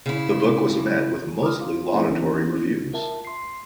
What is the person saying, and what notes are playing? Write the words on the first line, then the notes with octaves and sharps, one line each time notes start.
The book was met with mostly laudatory reviews.
C#3 E4
D6 D#6 F6
F4
E3 A#3 B3 C#4 D4 E4
F4 A#4 E5 A5
C6 C7